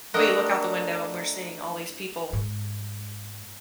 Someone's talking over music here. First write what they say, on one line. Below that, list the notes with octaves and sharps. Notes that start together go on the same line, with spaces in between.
we look out the window and we're seeing all these people
A3 C4 D4 A#4 D#5 F#5
G#2 G#3